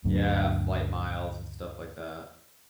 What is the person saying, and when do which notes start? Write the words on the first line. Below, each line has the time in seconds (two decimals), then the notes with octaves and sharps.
Yeah, flight miles and stuff like that.
0.05 D2 G2 F#3 D4